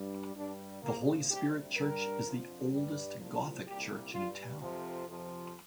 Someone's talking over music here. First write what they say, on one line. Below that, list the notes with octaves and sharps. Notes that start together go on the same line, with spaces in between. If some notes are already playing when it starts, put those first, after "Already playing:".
The Holy Spirit Church is the oldest gothic church in town.
Already playing: G2 G3
G2 G3 D4
C2 A#2 F3 A#3
D2 C3 G3 G4
G2 G3 A#4
F2 D3 F3
G2 G3
C2 A#2 F3
C2 A#2 G3 G4
G2 G3 F4
F2 C3 F3
F2 C3 F3